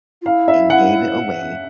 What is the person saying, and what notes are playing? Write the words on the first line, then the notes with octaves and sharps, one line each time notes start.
and gave it away
F4
E4 F5
E5
F#5